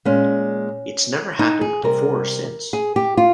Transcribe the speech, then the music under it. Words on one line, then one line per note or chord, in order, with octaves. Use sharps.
It's never happened before or since.
A#2 G#3 C#4
D#4
G#4
C3 G3 A#4
G#4
G4
F4